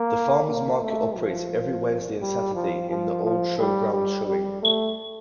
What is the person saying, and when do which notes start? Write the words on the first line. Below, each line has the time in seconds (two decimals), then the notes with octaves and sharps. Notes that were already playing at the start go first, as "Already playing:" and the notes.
The Farmer's Market operates every Wednesday and Saturday in the old showground showing.
Already playing: A#3
0.48 A#3
0.82 A3
1.17 F3
2.21 G3
2.55 F3
2.89 F3
3.24 F3
3.59 G3
3.93 G3
4.28 G3
4.63 A3